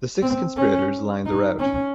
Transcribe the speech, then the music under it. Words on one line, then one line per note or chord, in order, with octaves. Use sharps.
The six conspirators lined the route.
C4
C#4
D#4
C#4